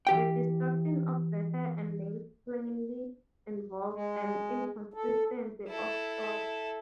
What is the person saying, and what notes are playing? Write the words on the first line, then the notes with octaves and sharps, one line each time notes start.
The destruction of the hair and nails plainly involves an inconsistency of thought.
E3 G4 G5
G#3
A4
E4 A4